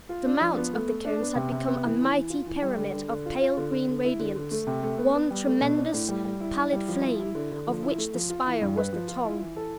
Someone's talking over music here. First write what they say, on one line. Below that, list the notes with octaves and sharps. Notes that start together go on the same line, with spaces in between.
The mount of the cones had become a mighty pyramid of pale green radiance--one tremendous, pallid flame, of which the spire was the tongue.
F4
D4
F3
B3
A3
A3
D4
B3
C3
C3
B3
E3
E3
E3
F4
E3
G3
D3
D3
D3
F4
F4
D3
D3
D3
E4
D3
D3
A3
C3
A3
B3
B3
G3
A3
B2
D4
A2
G3
G3
E4
E4
G3
F3
E4
E4
D3
D3
F3
E4
A3
F3
F4
E3
G2
B4
F3
F4
E4
E3
A4